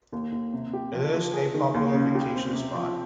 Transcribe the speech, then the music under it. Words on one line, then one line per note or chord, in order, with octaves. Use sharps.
It is a popular vacation spot.
D#2
D#2
C3
G4
F3
F3
G#4
D#3
D#2
C#3
G4
C4
C3
F3